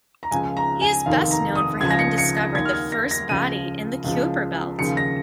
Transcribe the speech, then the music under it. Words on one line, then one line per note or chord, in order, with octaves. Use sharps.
He is best known for having discovered the first body in the Kuiper belt.
A#5
C#2 C#3 F3 G#5
A#5
G#5
F1 D#2 D#3 F5
A#5
D#6
C#2 C#3 F3 G#6
A#6
C#7
C#7
A#6
D#2 D#3 G#6
F6
G#6
A#6
A#6
C#2 C#3 F3 D#7
C#2 C#3 F3
D#2 C#3 F3 C#7
A#6